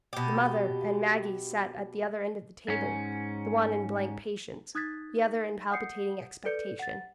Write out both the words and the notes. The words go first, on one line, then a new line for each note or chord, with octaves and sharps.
The mother and Maggie sat at the other end of the table, the one in blank patience, the other in palpitating expectation.
B2 G4
G#2 C#4
D#4 D#6 F#6 G#6 A6 B6
F#5 D#6 G6 C7 C#7
A4 B4 D5 G6 C#7
F#5 A6